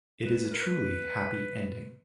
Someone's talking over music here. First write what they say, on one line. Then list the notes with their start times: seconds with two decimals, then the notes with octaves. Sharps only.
It is a truly happy ending.
0.25 B4
0.52 A#4
0.62 B4